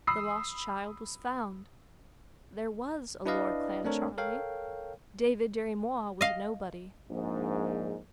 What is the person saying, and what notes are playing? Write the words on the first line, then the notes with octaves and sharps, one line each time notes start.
The lost child was found. There was a Lord Clancharlie; David Dirry-Moir was nobody.
B5 D#6 E6 C7
D4 E4 B4 D5 D#5 F5
A3 C4 D4 A4 A#4 C#5
A4 A#4 C#5 F5 G5
D#5 F5
A#1 G#2